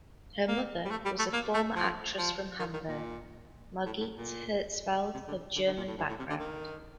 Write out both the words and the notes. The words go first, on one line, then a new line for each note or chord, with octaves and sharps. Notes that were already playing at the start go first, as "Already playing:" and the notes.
Her mother was a former actress from Hamburg, Margit Herzfeld, of German background.
A#3
G3
A3
G3
A3
A#3
A3
F3
F3
D#3
D#3
A#2
A2
A2
A#2
C3
D3
D3
D3
A#2
A2
G2
A2
C3
D3
D#3